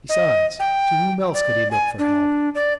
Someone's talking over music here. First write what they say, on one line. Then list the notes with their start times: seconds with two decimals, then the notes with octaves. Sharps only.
Besides, to whom else could he look for help?
0.09 D#5
0.60 G5
1.34 D5
1.71 G#5
1.99 D4
2.55 D5